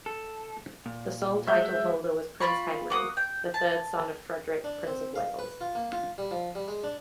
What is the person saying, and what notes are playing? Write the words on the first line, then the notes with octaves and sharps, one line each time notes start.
The sole title-holder was Prince Henry, the third son of Frederick, Prince of Wales.
A4
A#2
F#3 G#3 E5 G6
F4 D5 B5 C#6
A#3 F#4 D#6
G5
A5
D4
C4
F5
B4
F4
A#3
F4
G3
F3
G3
G#3
D4